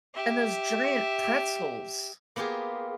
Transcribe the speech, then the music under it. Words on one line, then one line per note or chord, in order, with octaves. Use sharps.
And those giant pretzels.
G4 E5
A#3 B3 F4 G4 G#4